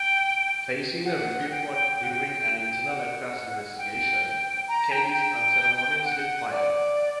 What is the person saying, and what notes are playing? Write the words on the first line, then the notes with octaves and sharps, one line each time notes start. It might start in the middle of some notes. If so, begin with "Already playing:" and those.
Facing a review board during an Internal Affairs investigation, Kate is unceremoniously fired.
Already playing: G5
F#5
G5
G5
F#5
G5
F#5
G5
A#5
G5
G5
F#5
D5